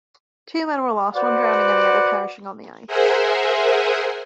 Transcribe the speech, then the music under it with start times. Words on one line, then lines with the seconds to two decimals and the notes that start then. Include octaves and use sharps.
Two men were lost, one drowning and the other perishing on the ice.
1.15 F#4 B4 C5 D5 F#5
2.87 G#4 A#4 C5 E5 F#5 G#5